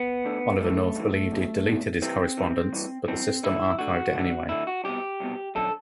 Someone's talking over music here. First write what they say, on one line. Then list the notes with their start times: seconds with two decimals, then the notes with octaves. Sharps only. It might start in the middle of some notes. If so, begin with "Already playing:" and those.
Oliver North believed he had deleted his correspondence, but the system archived it anyway.
Already playing: B3
0.25 D2 D3
0.61 G2 E3 A3
0.96 G2 E3
1.31 E2 B2
1.67 E2 B2
2.02 C2 C3 E3 C4
2.37 C2 C3 E3
2.73 G2 E3
3.08 G2 E3 C4
3.43 D2 D3 E4
3.79 D2 D3 F#4
4.14 D2 D3
4.49 D2 D3 E4
4.67 F#4
4.85 C2 B2 G4
5.20 C2 B2
5.56 F#2 D3 A4